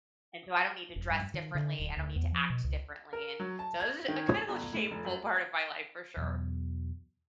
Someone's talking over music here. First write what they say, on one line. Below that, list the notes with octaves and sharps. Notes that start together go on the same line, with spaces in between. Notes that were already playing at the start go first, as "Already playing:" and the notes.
and, so, I don't need to dress differently, I don't need to act differently, and, so this is a kind of a shameful part of my life for sure.
F1
G2
D#3
D3
D1
D2
E2
F3
B2
C#2
A#4
F#3
A5
G#6
D#3
C#5
G1
A2
F1
F#2
E2 B2 F#3